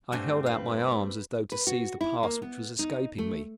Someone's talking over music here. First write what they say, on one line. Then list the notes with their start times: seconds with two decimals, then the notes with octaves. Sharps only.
I held out my arms as though to seize the past which was escaping me.
0.12 G2 G3 A3 C4 F#5 G#5
0.46 B4 F5
1.52 B4
1.67 F#4
2.01 E4
2.23 A#3
2.42 B3
2.79 D#4
3.18 A3